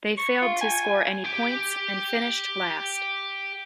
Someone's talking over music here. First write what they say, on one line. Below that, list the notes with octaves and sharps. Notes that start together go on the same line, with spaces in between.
They failed to score any points and finished last.
C#6
F4
G#5
G4 G5